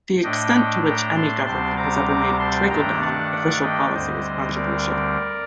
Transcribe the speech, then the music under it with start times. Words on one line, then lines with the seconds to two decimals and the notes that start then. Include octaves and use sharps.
The extent to which any government has ever made "trickle-down" official policy is controversial.
0.23 A2 A3 D4 D#5 G5
0.85 G5 A#5
1.16 A5 C6
1.46 D2 C3 G3 C4 A5 C6
1.78 A#5 D6
2.08 A#5 D6
2.39 A5 C6
2.70 G2 D#3 A3 D4 G5 A#5
3.00 F#5 A5
3.31 D5 F#5
3.63 D#5 G5
3.94 D2 D3 G3 C4 C5 D#5
4.55 A#4 D5